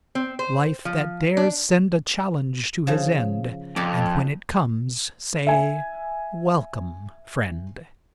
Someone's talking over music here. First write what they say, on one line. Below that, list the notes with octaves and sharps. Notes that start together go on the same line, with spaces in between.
Life, that dares send A challenge to his end, And when it comes, say, "Welcome friend."
C4
C5
F3
D4
C#3 F3
F2 A4 D5
E5 G#5